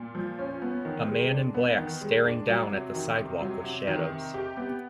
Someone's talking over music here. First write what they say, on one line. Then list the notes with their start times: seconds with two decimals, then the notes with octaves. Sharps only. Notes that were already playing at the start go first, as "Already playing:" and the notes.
A man in black staring down at the sidewalk with shadows.
Already playing: A#2
0.15 F3
0.39 C#4
0.62 B3
0.85 D#3
1.08 G#3
1.31 D4
1.54 B3
1.78 D#3
2.01 G#3
2.25 D4
2.48 F#3
2.71 C3
2.95 D#3
3.17 C3
3.41 F#3
3.64 C3
3.87 D#3
4.10 C3
4.34 G4
4.57 B3